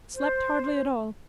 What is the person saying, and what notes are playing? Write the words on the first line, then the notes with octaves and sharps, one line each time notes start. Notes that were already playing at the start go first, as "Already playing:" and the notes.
Slept hardly at all.
C5